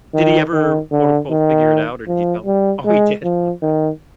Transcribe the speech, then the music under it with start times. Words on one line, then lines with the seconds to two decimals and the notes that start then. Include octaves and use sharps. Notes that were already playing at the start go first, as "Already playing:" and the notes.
did he ever, quote unquote, "figure it out," or did you tell him? Oh, he did, okay.
0.14 D#3
0.53 D#3
0.91 D3
1.30 D#3
2.07 F3
2.46 G3
2.85 G#3
3.24 F3
3.62 D#3